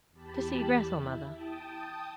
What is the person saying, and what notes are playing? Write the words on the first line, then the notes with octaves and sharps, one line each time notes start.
'To see Grettel, Mother.'
E2 G4 A5 B5
E4
G5 A5 D#6